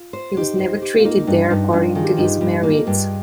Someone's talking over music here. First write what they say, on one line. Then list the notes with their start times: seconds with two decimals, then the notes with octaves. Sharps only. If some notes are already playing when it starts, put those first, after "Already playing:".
He was never treated there according to his merits.
Already playing: F4
0.13 C5
0.37 D#4 G4
0.59 C5
0.82 G4
0.99 F4
1.05 A#3 D#4
1.23 D#4
1.27 G2 D4
1.50 G2 D#4
1.73 G2 D4 F4
1.95 D#3 G#4
2.03 G4
2.11 F4
2.17 G2 D#4 G4
2.41 G2
2.63 A#3
2.87 G2